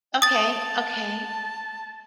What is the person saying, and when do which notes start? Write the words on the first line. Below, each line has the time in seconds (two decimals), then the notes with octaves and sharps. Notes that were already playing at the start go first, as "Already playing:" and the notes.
Okay, okay.
0.22 A5 D#6 A6